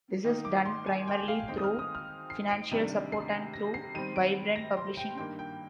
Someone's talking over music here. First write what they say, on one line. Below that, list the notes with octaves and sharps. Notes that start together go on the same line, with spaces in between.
This is done primarily through financial support and through vibrant publishing.
D#3 A#3 D#4
D6
C6
G#5
G5
F5
D#3 G#3 C4 D#4 G5
D#6
F6
D#6
F6
C7
D7
C3 D#3 G3 D4
C7
A#6
C7
D#3 G3 C4 D#7
D7
A#6
C6
G5
G2 D#3 A#3 G5
G5